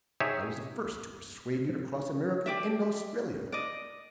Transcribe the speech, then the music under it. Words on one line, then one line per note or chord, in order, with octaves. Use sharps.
I was the first to persuade you to cross America and Australia.
D#4 G4 G#4 C#5 E5
G4 D5 E5
D5 D#5